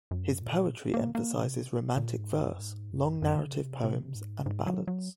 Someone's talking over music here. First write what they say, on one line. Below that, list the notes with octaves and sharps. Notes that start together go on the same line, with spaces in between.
His poetry emphasizes romantic verse, long narrative poems, and ballads.
F#2
A#2
A#3
A#3
C3
A#2
G#2
F#2
G#2
F#2
F#2
D#3
C#3
C3
C3
G#2
G#2
F#3
F#3